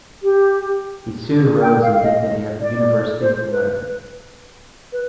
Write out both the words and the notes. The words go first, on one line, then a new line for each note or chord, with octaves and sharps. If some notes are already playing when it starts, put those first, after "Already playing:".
He soon rose in dignity at the University of Leiden.
G4
G#4
G5
F5
F5
D#5
D5
C5
B4
B4